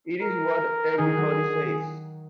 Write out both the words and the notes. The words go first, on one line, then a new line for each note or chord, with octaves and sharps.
It is what everybody says.
A#4
D#3 D#4 G#4
D#4
F#3 F#4